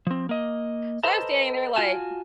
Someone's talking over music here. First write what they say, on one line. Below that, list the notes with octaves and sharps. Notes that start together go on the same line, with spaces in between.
So I was standing there like,
F3 C4
A#3 D#5
A4 B4 C5 D#5 A5 A#5
F4 F#4 G#5 A5